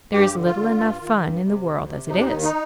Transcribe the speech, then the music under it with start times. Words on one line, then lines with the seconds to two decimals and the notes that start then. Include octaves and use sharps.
There is little enough fun in the world as it is.
0.12 G2 G4
0.34 D3
0.45 F4
0.56 D3
0.78 G2
1.00 D#3
1.22 G2
1.44 C3
1.66 D2
1.88 C3
2.10 D#2 D#4
2.17 D4
2.24 D#4
2.32 D#3
2.43 D#4